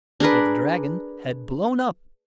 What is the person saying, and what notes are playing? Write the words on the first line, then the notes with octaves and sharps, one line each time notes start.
For the dragon had blown up.
D4 G#4 A#4 B4